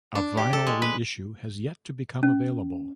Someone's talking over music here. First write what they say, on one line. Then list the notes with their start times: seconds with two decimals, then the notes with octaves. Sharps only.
A vinyl re-issue has yet to become available.
0.15 D4
0.37 G4
0.53 A4
0.67 G#3
0.82 B4
2.23 C#4